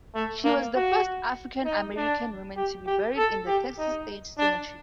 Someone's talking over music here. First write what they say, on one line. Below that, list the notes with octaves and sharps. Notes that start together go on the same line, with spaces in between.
She was the first African-American woman to be buried in the Texas State Cemetery.
A3
A#3
F#4
D#4
D4
G4
G4
A4
G4
D#4
D4